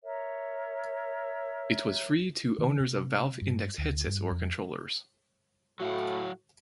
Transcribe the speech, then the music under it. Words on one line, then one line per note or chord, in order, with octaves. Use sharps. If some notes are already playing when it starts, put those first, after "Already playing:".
It was free to owners of Valve Index headsets or controllers.
A#4 C#5 E5
D#3
C3
G2
D2
G2
F2
A2 F#3 F#4 F5 F#5